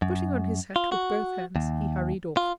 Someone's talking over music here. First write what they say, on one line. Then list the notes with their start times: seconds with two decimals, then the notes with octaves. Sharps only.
Putting on his hat with both hands, he hurried off.
0.02 F#2
0.76 F4
0.92 F#4
1.56 D#2
2.37 F4